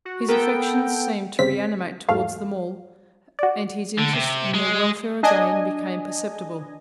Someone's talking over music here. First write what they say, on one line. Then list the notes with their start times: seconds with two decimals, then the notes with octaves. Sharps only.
His affections seemed to reanimate towards them all, and his interest in their welfare again became perceptible.
0.05 F#4
0.29 B3 A4 A#4 G5
1.39 G1 C#3 C4 B6
2.09 E2 G#2 A3 F5
3.39 F#4 D5
3.98 D3
4.13 C3
4.54 G#3
5.23 D4 D#5 G#5